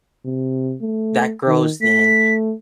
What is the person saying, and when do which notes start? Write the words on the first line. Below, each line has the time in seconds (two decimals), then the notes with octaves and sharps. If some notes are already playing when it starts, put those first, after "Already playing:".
that grows, then
0.25 C3
0.82 A3
1.47 D#3
1.82 A3 B6